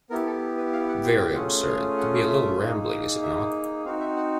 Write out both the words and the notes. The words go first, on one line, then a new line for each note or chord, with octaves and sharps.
Very absurd, to be a little rambling, is it not?
B3 E4 G4 A#4
A4
B4
F5
F#5
G5
G5
A3 C#4 F4 G#4 F#5
F5
F#5
E5
A#3 D#4 G#4
E5
C4 D#4 F#4 F5
E5
F#5